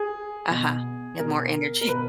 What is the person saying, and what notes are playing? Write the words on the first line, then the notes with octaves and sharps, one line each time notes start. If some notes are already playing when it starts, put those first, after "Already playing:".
Uh-huh. You have more energy.
Already playing: G#4
B2
B2 A#4
A#4
B2 B4